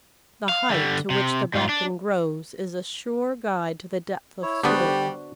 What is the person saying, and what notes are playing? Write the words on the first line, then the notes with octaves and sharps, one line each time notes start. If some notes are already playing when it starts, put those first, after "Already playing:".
The height to which the bracken grows is a sure guide to the depth of soil.
F5
D3 G3
C3
G#2 F4
D4
E4 C#5
D3 G3 B3 D4 F#4 G4 C5